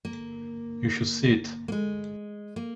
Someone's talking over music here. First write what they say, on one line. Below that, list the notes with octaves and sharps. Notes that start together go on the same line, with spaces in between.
You should see it.
A#3
A#3
G#3
A#3